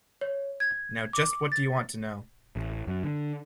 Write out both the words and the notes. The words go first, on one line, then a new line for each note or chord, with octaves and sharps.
Now just what do you want to know.
C#5
G#6
D6
A6
A1
F#2
D3